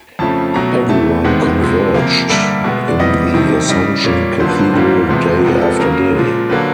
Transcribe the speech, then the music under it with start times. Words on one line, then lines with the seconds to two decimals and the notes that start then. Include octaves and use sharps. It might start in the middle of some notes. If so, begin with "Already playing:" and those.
Everyone converged in the Assumption Cathedral day after day.
0.19 F2 C#3 F3 A3 A5
0.54 B2 F#3 A3 A#5
0.89 C3 E3 A3 A5
1.24 C3 D#3 G#3 B3 F#5
1.59 F2 C3 F3 G#3
1.94 F2 C3 F3 A#3 F5
2.30 G2 D3 G3 A#3 E5
2.64 B2 G#3 B3
2.88 D5
2.99 C3 E3 G3 B3 D#5
3.34 F2 C3 D#3 G3
3.69 C#3 E3 G3 D#5
4.04 A#2 G3 A#3 C#5
4.40 F#2 D3 F3 A#3 C5
4.49 B4
4.59 C5
4.74 G#2 E3 G3 A#3
5.09 E2 C3 F3 G#3 B3 C5
5.44 C3 F3 G#3 B3 A#4
5.61 A4
5.80 C#3 F#3 A#3 A#4
6.15 A#2 F3 G#3
6.50 D3 F#3 A#3 B4